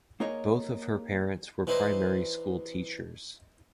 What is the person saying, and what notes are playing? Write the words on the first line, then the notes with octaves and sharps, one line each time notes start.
Both of her parents were primary school teachers.
A#3 D#4 G#4 A#4 C#5 D#5
E3 D#4 E4 C5 D5 D#5